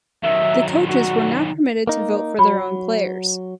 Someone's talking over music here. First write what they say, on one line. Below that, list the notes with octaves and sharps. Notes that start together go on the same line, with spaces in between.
The coaches were not permitted to vote for their own players.
D#3 F#3 E5
F#4
A#3 D#4
F#3 B5